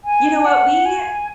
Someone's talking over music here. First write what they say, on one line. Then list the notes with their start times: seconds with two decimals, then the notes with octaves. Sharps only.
You know what? We,
0.04 G#5
0.45 F#5
0.85 G#5